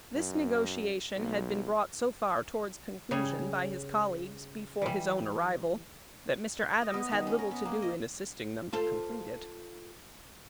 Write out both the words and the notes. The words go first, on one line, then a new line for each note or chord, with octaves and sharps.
This negotiation had been brought so far towards conclusion by his colleagues before his own arrival that Mr. Adams had little to do in assisting them to complete it.
F#2
B1
C#3 G3 G#4 C#5
E3 G3
D#5
B3
D#3
C#4
A#4
B3
A#3
D#5
F4 A4 C5